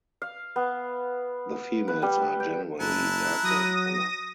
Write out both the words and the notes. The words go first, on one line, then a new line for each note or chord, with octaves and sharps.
The females are generally darker in color.
F5
B3
B4
G3
G5
F#1 E4 A5 A#5 F#6
F#3 D#6 A#6